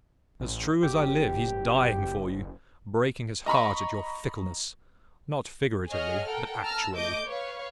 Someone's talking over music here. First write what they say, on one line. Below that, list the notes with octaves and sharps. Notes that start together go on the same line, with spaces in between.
As true as I live, he's dying for you; breaking his heart at your fickleness: not figuratively, but actually.
A1
F#1 G4
D#5 A#5 B5 C#6
G#4 C#5 D#5 F#5 F6
A4 A#4 F#5 G5
A5 A#5 E6 F6
A3 D#5 D6 G6 D7
B4 C#5 F5